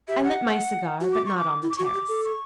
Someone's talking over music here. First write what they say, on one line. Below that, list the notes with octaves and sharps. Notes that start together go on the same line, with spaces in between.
I lit my cigar, but not on the terrace.
G4 E5
F#5
F#4
D6
C#6
D6
E4
D6
F#4 C#6
D6
G4
A4
C#6